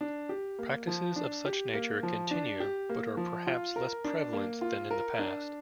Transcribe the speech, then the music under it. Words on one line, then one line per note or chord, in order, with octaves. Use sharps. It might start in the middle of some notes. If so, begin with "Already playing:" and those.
Practices of such nature continue but are perhaps less prevalent than in the past.
D4
G4
A#3
F3
D4
G4
A#3
F3
D4
G4
A#3
F3
F4
A#4
D4
A#3
F4
A#4
D4